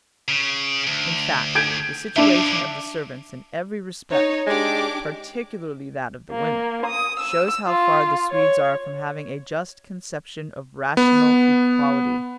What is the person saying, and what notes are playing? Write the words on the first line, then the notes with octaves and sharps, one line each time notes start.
In fact, the situation of the servants in every respect, particularly that of the women, shows how far the Swedes are from having a just conception of rational equality.
C#3
D2
G6 G#6 D7
F3 D4 E4 E5
D#4 C#5
G#3 D4 G4 D6
A#3
D#6
E6
F4
C#5
B3